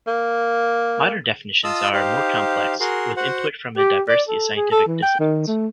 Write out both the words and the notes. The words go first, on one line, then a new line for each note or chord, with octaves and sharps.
Modern definitions are more complex, with input from a diversity of scientific disciplines.
A#3
F4 D#5 A5 D#6 E6
D#4 G4 C5 F5
F#4 G#4 A#4 C6
F#4 C5 F#5
G4
D5
A4
G#4
A4
E3
G5
D#3
A3